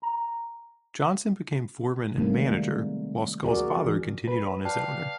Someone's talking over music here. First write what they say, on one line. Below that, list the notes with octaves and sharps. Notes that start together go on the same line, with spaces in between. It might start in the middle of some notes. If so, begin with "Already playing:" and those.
Johnson became foreman and manager, while Scull's father continued on as owner.
A#5
C3 D#3 G3 A3 A#3 C4
G#3
F#4 G#4 A#4 D5
E3
B4
D5 F5 G5 A5 F#6